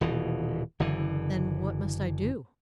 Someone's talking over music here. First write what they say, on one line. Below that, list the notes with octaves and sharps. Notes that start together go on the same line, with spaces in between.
'Then what must I do?'
D#1 B2 E3
F#1 D3 E3